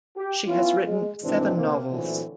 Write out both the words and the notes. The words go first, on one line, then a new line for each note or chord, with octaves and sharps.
She has written seven novels.
G4
B3 C#4 E4 F4
G#3
G#2 C3 D#3 E3 C4 D4
C3 A#3 C4
A#2 D3 E3 F#3 A3 C4